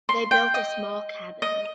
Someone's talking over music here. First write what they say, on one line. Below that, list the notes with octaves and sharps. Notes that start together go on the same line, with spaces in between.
They built a small cabin.
C6
G5
D#5
D#5